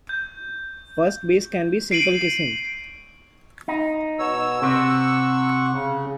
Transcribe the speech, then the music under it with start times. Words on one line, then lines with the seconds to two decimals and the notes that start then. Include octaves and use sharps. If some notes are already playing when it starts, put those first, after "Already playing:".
First base can be simple kissing.
0.09 G6
1.91 C7 D7 D#7 F#7
3.68 D#4
4.19 B2 C#5 E6
4.62 C3 F#5 C#6
5.71 C#3